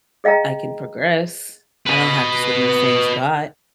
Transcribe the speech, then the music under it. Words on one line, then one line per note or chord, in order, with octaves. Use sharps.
I can progress, I don't have to sit in the same spot.
G#4 D#5 F5 G5 A#5
B4 D#5